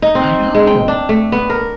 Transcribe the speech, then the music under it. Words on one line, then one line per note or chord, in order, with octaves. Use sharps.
I know.
D#4
C4
G#3
G5
D4
A3
B3
A#4